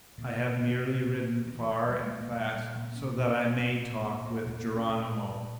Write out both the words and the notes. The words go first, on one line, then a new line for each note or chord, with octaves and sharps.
"I have merely ridden far and fast so that I may talk with Geronimo."
A#2 D3
A#2 D3
A#2
A#2 D#3
E3
D#3
A#2 G3
G#3
A3
A#3
A#2 G#3
G3
A#2 A3
B3
C#4
D4
A#2 C#4
A#2
A#2 B3
A#3
A#2 A3
A#3
C#4
A#2
A#2